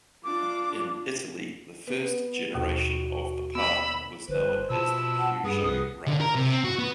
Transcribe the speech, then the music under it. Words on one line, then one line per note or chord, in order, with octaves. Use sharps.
In Italy, the first generation of the Partner was known as the Peugeot Ranch.
D4 F4 D6
B3 B4
D#2 B2 F#4
B3 B5 E6
G1 B4 C5
B2 F3 A5 B5 E6
F#5
G2 B3 G#4 D#6
C2 D#6
D3
A#4
C3
C4
F#4
B3